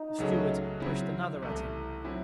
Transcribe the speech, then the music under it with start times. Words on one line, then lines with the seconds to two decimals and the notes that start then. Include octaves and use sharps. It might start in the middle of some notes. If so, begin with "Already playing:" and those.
The stewards pushed another at him.
Already playing: D#4
0.18 C#2 C#3 F#3 A3 C#4
0.80 C#3 F#3 C4 E4
1.42 C2 C3 E3 A3
2.04 F#3 C4 E4